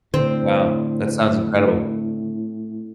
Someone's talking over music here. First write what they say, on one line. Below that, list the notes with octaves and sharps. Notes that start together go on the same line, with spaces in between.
Wow, that sounds incredible.
A2 D3 C4